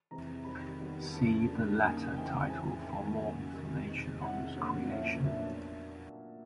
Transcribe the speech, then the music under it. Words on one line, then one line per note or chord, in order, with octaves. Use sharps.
See the latter title for more information on this creation.
C3 E3 G#3 C4 A#5
D#3 G3 C4 B5
D#3 G3 B3
C#3 F3 A3 A5
D3 G3 A#3
C#3 F#3 A#3 D#4 G#5
C#3 E3 G#3 C4 D#4 G5
A2 E3 G#3 C#4 E4 G#5
D#3 G#3 B3 G#5
C#3 F#3 A#3
C3 D#3 G3
B2 G#3 C4 D#4
C3 D#3 G#3 C#4 E4 F#5
D3 F#3 A#3 C#4
A2 F3 A#3 C#4 E5
A#2 F#3 B3 D4 E5